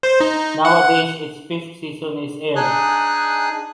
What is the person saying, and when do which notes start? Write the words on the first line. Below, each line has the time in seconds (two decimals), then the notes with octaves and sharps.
Nowadays, its fifth season is aired.
0.03 C5
0.20 D#4
0.65 F#5
2.56 D4 D#4 G#4 G#5 D#6 F#6